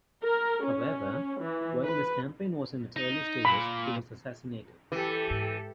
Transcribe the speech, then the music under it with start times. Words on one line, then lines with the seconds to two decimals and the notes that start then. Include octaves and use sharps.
However, while this campaign was in its early stages, he was assassinated.
0.23 A#4
0.64 C#4
1.42 E3
1.83 B4
2.96 D#4
3.45 A#2 B5
4.92 E3 G4 A4
5.30 G#2